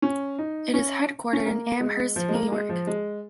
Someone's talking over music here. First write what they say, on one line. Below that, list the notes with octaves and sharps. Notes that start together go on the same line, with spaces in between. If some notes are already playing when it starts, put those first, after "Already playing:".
It is headquartered in Amherst, New York.
C#4
D#4
C#4
C#4
A#3
G#3
F3
G#3
A#3
G#3
F3
G#3